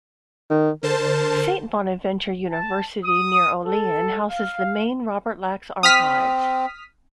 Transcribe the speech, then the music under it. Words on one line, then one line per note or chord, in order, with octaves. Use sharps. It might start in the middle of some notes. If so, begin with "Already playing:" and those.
Saint Bonaventure University, near Olean, houses the main Robert Lax archives.
D#3
D3 A#4 C5 A5
A5
D#6
A4
F5
C4 D#6 F6 B6